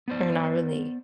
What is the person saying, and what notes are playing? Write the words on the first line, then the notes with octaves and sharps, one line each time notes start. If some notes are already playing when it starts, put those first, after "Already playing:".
Or, not really?
B3 C5 D5